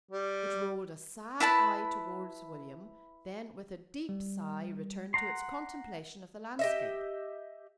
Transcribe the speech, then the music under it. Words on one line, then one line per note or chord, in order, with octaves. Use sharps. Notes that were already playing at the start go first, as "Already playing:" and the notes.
It rolled a sad eye towards William, then with a deep sigh returned to its contemplation of the landscape.
G3
E4 B4 A5 B5
G3
F#5 A#5 C6
G4 D#5 E5